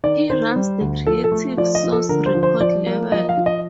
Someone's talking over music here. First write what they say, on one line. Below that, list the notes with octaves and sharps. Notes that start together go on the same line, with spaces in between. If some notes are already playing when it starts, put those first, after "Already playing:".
He runs the Creative Source record label.
D#3 D5
D#3 C5
G3
D2
F3 A4
A4
A3
F3 D5
D#5
F3
A4
D3 A#4
C5
F3
C5
F3 D5
A#3
F3 D#5
F5
F3
D#5